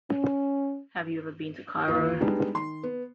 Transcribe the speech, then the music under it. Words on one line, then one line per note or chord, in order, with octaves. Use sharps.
Have you ever been to Cairo?
C#4
D#2 F4 B4
G3 G#3 B3 D4 D#4
D#3 C6
B3